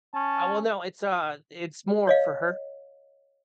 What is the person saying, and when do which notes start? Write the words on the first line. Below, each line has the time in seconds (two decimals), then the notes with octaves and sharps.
Uh, well, no, it's, uh, it's more for her,
0.14 C#4 A5
2.07 C#5 D#5 F5